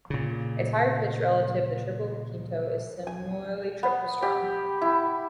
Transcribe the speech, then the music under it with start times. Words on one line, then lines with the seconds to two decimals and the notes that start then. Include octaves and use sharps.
Its higher-pitched relative, the tiple requinto, is similarly triple-strung.
0.10 A#2 C#3
3.07 G#5
3.83 B3
4.22 G4
4.82 E4